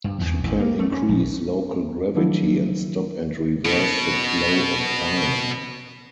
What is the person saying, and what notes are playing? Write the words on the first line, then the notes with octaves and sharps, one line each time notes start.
She can increase local gravity, and stop and reverse the flow of time.
G2
E2
A1
A#3
A3
C#4
A#1
D#3 F3 F#3 A3 D4 E4
B2 B3